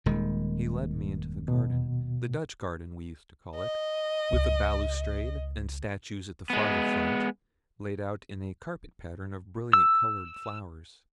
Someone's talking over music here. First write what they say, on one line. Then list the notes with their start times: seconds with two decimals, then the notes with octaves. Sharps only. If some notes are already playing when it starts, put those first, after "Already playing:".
He led me into the garden--the Dutch garden, we used to call it--with a balustrade, and statues at the farther front, laid out in a carpet-pattern of brilliantly-coloured flowers.
0.06 D#1 D#3 G#3
1.48 B2
3.55 D#5
4.32 C#2
6.50 G#3 B3
9.73 E6